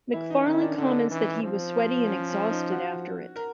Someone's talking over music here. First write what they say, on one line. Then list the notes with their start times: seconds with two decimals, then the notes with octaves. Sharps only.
MacFarlane comments that he was "sweaty and exhausted after it".
0.13 E3 E4
0.30 D#4
0.46 D#3 C#4
0.62 D4
0.78 D3 D#4
1.11 E3
1.43 F3 C4
2.07 C#4
2.29 C#4
2.50 D#4
2.71 F#4
3.36 A#4